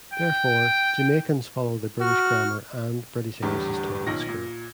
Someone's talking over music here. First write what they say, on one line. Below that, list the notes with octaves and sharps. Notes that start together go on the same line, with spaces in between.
Therefore, Jamaicans follow the British grammar, and British English is taught in school.
G5
F#4 C#6 F6
E2 A2 D3 G3
B1 A#2 D#3 A#6
A#2